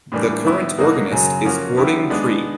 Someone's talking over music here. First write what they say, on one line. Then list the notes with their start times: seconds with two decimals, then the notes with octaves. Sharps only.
The current organist is Gordon Cree.
0.12 A2 E3 G3 A#3 D4
0.45 D#3 G3 B3 E4
0.78 B2 F#3 A#3 D#4 F#4
1.12 F#2 C#3 F#3
1.44 F3 A#3 C#4 F#4
1.77 D3 F#3 B3 E4 G4
2.10 D#3 G#3 B3 D4